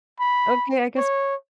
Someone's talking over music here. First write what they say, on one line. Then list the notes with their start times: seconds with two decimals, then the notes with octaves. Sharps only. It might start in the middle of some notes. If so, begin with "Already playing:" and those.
Okay, I guess
0.20 B5
0.98 C#5